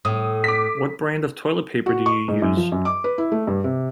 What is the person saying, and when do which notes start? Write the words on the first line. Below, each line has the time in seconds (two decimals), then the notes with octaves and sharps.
What brand of toilet paper do you use?
0.05 A2 D#6
0.44 D6 B6
1.86 F#4
2.06 C#6
2.28 G#2
2.42 F#2
2.57 F3
2.72 F#2
2.85 D6
3.04 B4
3.18 E4
3.32 A3
3.47 G2
3.64 C3